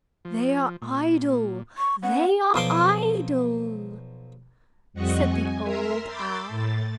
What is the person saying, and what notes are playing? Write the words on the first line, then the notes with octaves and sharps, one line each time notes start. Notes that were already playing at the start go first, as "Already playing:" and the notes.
"They are idle, they are idle," said the Old Owl.
F3
A#2
C#6
B3 C#4 F#5
B1 F3 C6 D6
F2 G3 C4 D#5 F#5 C#6
G#5
A#4 E5 A#5 C6
B5 C6 D6 E6 G6 A6
A2 A6